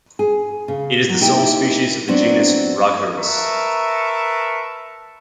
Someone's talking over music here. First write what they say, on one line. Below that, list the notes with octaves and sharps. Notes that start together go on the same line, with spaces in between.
It is the sole species of the genus Rhagerhis.
G#4
C#3
F#3
A#3 D#4 E4 G4
F#3 B3 C4 D4
A#4 B4 E5 A5 C#6